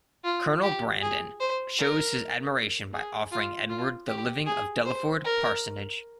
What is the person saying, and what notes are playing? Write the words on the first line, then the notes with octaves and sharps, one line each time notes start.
Colonel Brandon shows his admiration by offering Edward the living of Delaford parsonage.
F4
G4
G#4
C5
A#4
G#4
F4
F4
G4
G#4
C5
A#4